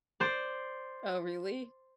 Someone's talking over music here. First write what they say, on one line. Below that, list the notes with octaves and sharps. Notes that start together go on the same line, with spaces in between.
Oh, really?
C5 D5